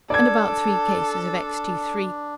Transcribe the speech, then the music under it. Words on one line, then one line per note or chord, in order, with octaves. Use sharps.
And about three cases of Extee Three.
D4 A4 D5 G#6